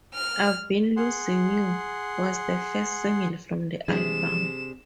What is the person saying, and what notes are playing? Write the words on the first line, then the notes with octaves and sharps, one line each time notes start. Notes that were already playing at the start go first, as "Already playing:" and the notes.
"I've Been Losing You" was the first single from the album.
F6
G#4 F#5 C6
C3 E3 G3 G#3 D4 G#4 E7